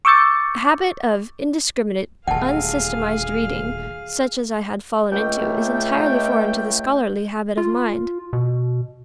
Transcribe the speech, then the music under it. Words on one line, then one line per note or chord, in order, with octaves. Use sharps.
A habit of indiscriminate, unsystematized reading, such as I had fallen into, is entirely foreign to the scholarly habit of mind.
C#6 D6 E6 G6 A6 C#7
D#1 D2 G#4 F5 F#5 A5
C#2 A3 G5
F4
B2